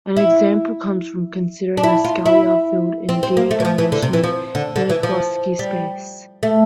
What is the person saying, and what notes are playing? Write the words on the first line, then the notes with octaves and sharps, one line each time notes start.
An example comes from considering a scalar field in "D"-dimensional Minkowski space.
E4
D4
E4
F4
E4
C4
C4
A#3
A3
E3
F3
E3
D3
C3
E3
F3
D3
D3
E3
F3
G3
A3